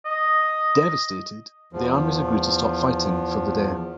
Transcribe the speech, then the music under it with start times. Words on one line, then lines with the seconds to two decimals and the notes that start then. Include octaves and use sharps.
Devastated, the armies agree to stop fighting for the day.
0.05 D#5
1.73 E2 F3